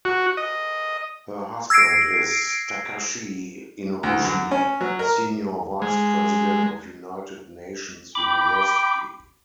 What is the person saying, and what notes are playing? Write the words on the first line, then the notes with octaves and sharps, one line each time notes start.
Her husband is Takashi Inoguchi, senior vice president of United Nations University.
F#4
D#5
E6 G#6 A#6 C7 D7
D2
F#2
C#4
F#3
A#4
G#3
G5 B5 D6